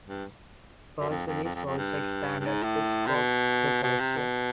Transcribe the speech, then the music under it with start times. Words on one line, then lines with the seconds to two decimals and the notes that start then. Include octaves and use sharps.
Pargellis also expanded the scope of the collection.
0.06 G2
1.00 F#2
1.09 F2
1.27 F2
1.44 F2
1.55 F2
1.66 F2
1.77 G2
2.40 G2
2.45 G#2
2.63 A2
3.07 C3
3.14 B2
3.83 B2
4.00 C3
4.17 B2